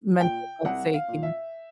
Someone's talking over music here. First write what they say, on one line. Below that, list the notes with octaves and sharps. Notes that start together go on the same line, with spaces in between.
mental health sake here.
A#2 G5
C2 F#5
F5
A#2
E5